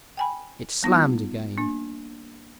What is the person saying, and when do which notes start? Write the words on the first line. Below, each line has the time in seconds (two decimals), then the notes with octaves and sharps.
It slammed again.
0.17 G5 G#5 B5
0.83 G3 B3 D#4 F4
1.58 A#3 D4